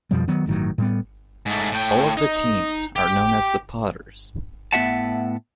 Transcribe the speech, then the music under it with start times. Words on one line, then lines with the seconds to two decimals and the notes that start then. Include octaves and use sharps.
All of the teams are known as the Potters.
0.11 F2 B2 F3 G3
0.28 D#3 F#3 B3
0.46 G1 A2 D#3 F#3
0.78 A2 G3 B3
1.46 G#2 A3
1.72 A2 G5
2.17 D#4
2.96 G4
4.72 A2 B3 F#4 E5 F#5 A5